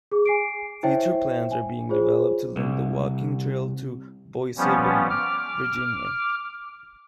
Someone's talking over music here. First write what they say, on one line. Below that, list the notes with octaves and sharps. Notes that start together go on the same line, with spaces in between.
Future plans are being developed to link the walking trail to Boissevain, Virginia.
G#4 D6
G#5 C7 D7
E4 C5 C#5 E5 G5
G#5
F4 G#4 C5 C#5
C2
F3 G3 B3 C#4
D6 F6